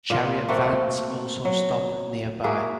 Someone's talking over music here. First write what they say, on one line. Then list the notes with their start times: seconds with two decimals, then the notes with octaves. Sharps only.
Chariot vans also stop nearby.
0.10 A#2 F4
0.48 A3 A#3 C4 F#4
1.45 F#3
2.44 A#3 E4 F#4 G#4